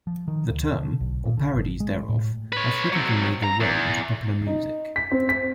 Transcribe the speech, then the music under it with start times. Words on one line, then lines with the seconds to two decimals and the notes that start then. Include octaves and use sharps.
The term, or parodies thereof, have frequently made their way into popular music.
0.07 F3
0.28 D#3
0.50 D2
0.72 D3
1.00 B1
1.25 A#2
1.37 D3
1.53 G1
1.80 G#3
2.09 A2
2.53 B4 C#5
2.92 F#3 C4
3.44 A#5
3.60 E2
4.47 D#4
4.96 B6
5.11 C4
5.29 B6